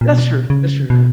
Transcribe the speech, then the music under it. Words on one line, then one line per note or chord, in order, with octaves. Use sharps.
That's true that's true.
A#2
B2
C#3
B2